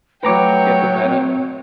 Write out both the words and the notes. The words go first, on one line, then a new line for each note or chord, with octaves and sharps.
Get the Meta.
F#3 A3 B4 C#5 G5 A#5 D6
C4